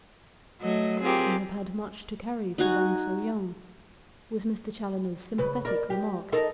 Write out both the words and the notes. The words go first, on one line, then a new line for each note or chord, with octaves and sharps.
"You have had much to carry for one so young," was Mr. Challoner's sympathetic remark.
F#3 A3 D#5
C4 F4 G4 G#4 A#4
D#4 F#4 G#5
C#3 B4
A#4 D5
G4
D#4 A4 A#4